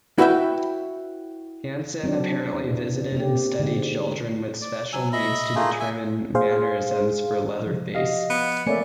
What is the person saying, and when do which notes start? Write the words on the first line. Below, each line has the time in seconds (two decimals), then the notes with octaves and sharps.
Hansen apparently visited and studied children with special needs to determine mannerisms for Leatherface.
0.18 E4 F#4 B4 E5 G5
2.04 F#3 C4 D4 D5
2.53 E2
3.13 C3 A#3 C4 G4
3.59 G#2 D3
4.62 D5
4.93 F#3 G#5 E6
5.13 D#5 E5 B5
5.55 A3 A#3 F4 G#4
5.80 E5 G#5
6.35 G#4 C5 F5
7.66 F3
7.95 F#4 G4 D#5 F5
8.30 B3
8.67 A3 A#3 C4 C#5 D5 E5 G#5 C#7